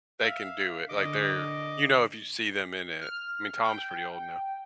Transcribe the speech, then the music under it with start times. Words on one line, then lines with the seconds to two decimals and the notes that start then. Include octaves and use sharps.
they can do it. Like they're, you know, if you see them in it. I mean, Tom's pretty old now,
0.20 E5 F5
0.89 D3 D#5 D6
3.01 F6
3.64 G5